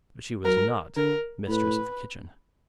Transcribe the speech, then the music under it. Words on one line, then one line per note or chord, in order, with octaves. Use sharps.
But she was not mistress of the kitchen.
F#3 A#4
D3 A#4
A2 B4